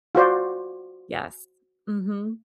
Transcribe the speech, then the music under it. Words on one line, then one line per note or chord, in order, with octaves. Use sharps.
Yes. Mhm.
F4 F#4 C5 D5